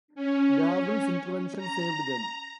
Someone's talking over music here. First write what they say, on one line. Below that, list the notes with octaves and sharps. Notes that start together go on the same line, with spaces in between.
Gavril's intervention saved them.
C#4
A#5